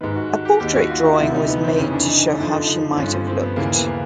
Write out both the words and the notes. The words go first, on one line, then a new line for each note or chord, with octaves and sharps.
A portrait drawing was made to show how she might have looked.
G#2 D#3 B4
F#4
F#4
G4
D#2 D#3 G4
F#4
F4
E4
D2 C3 F3 E4
D#4
B3
C4
F2 C#3 E3 C#4
D4
D#4
F#2 D3 F3 D4
D#4
D#4
C4
G2 D3 F3 C#4
C4
C4
B3
D#2 C#3 E3 A#3
B3
A#3